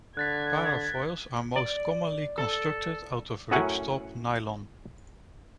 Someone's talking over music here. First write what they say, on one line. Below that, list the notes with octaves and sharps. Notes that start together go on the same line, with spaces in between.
Parafoils are most commonly constructed out of ripstop nylon.
D3 F#6 G#6 A6 B6
D5
A4
F#2 A2 F#3 C#4 F#5